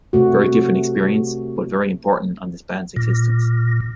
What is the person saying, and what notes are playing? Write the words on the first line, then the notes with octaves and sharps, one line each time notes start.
Very different experience, but very important on this band's existence.
C3 A3 F#4
A#2